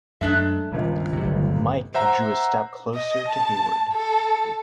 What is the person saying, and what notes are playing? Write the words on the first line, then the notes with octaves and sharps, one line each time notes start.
Mike drew a step closer to Hayward.
F#2 G#3 A3 D4 E5
G#1 C#2 G2 A#2
G1 D2 C3 F#3
C5 E5 F#5 A#5
D#5
A5
A4